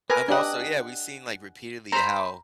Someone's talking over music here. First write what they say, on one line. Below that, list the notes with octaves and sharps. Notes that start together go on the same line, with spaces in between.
I've also yeah, we've seen, like, repeatedly how
A#4 B4 G#5 A#5
D4 G4 D#5 F#5 G#5
C5 A#5 B5